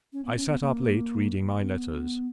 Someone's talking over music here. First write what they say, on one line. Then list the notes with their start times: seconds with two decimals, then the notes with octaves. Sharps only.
I sat up late reading my letters.
0.13 C#4
0.25 B3
0.37 C#4
0.49 B3
0.61 A#3
1.59 B3